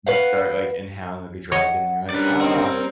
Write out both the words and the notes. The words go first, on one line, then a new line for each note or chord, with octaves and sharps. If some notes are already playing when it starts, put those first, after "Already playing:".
you start, like, inhaling like a dragon, and you're like, "Ah,"
B4 F5 F#5
C#5 D#5 F#5
G3 C#4 D4 A#4 B4 D5
C4